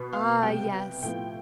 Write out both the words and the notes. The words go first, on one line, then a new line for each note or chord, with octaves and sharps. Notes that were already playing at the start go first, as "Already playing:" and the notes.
Ah, yes.
Already playing: B2 B3 B5
F5
C3 G3 B3 G5
A2 F3 B3 G5